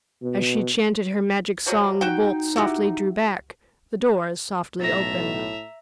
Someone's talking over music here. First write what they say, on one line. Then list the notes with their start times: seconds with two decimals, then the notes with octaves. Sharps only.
As she chanted her Magic Song the bolts softly drew back, the doors softly opened.
0.23 B2
1.66 F3 F#3 G#3
2.01 D#4 F#4 G5
2.56 E4 F#4 G4
4.80 B1 A2 E5 A#5 A6 A#6